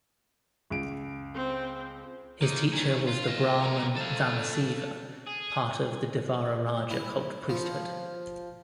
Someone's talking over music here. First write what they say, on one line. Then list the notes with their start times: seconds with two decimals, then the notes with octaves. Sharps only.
His teacher was the Brahman Vamasiva, part of the Devaraja cult priesthood.
0.70 C#2 D7
1.35 C4
2.42 A#3 D#4
2.73 D#3 C#4
3.07 F4
3.24 D#5 F5
3.62 B3 A#4
3.96 A4 F5
5.27 G#4
6.91 E4
7.50 F3